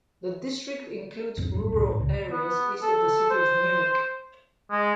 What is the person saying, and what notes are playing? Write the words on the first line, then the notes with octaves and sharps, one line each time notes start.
The district includes rural areas east of the city of Munich.
A#1 F2 G#2
A1 F#2 G3
C#2 F#2 A2
A1 G#2
C#2 C#3
B3
A4
C5
G#3